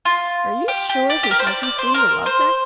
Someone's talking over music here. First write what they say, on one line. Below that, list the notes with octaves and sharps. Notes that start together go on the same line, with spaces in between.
"Are you sure he hasn't seen the Love Magnet?"
F4
G4
G4
D5
G4
A#4
C5
D5
D5
C5
A#4
C5